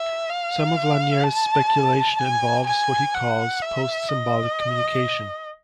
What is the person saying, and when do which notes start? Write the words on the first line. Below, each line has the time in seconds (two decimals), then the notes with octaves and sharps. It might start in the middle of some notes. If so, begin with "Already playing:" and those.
Some of Lanier's speculation involves what he calls post-symbolic communication.
Already playing: E5
0.29 F5
1.24 A5
2.19 G#5
2.66 G#5
3.14 F#5
3.62 E5
4.09 D#5